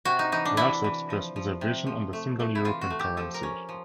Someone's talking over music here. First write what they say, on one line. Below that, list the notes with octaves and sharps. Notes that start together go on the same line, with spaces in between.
He also expressed reservations on the single European currency.
C3 F#4
D#4
E3 D#4
D4
E3 E4
E3
F3
F3
C3
F3
A3
A3
E4
E3 F4
F#4
A3
G4
F3 A4
A#4
C#4
F3